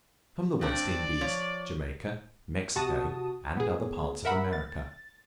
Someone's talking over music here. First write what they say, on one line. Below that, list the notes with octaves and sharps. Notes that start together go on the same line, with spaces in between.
From the West Indies, Jamaica, Mexico, and other parts of America.
G2 C4 D4 D5
F3 C#5
C3 F#4 A5 D#6
B3 G#4
A#4 E5 F#5 B5
A6